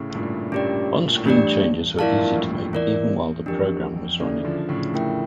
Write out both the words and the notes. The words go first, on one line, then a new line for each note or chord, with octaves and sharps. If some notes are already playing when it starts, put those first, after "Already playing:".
On-screen changes were easy to make, even while the program was running.
Already playing: A2 C#3
A2
G2 A#2
G2 A#2 C#4 G4 D5
A#2
A2
E2 G2 A3 D4 G4 D5
F2 A2 E4 A#4 D5 F5 A5
G2 A#2
F2 A2
F2
E2 E4 A#4 D5
F2 D4 G4 A#4
F2
C#3 E3 C#4 E4 A4 D5
D3 F3
A2 C#3
A3 E4 A#4 E5 G5